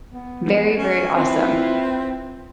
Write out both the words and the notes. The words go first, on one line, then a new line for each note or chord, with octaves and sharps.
Very, very awesome.
B3
C#4
C4 E4 F4 B4